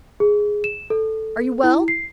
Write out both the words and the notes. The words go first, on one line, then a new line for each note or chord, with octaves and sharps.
"Are you well?"
G#4
E7
A4
E4
C7